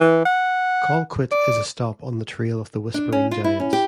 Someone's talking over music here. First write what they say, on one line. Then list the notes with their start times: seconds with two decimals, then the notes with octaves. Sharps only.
Colquitt is a stop on the Trail of the Whispering Giants.
0.01 E3
0.25 F#5
1.32 D5
2.94 D4
3.12 C#4
3.31 F4
3.44 E4
3.60 C#4
3.73 G4